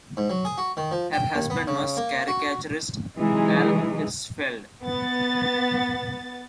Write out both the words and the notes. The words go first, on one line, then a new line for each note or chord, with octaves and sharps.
Her husband was caricaturist Al Hirschfeld.
G#2
F#3
G#4
F#4
D#3
F3
G5
D#2
B3
C#3
A#3
F#4
C3 E3 F#3 G#3 D#4 G#4
B3 A6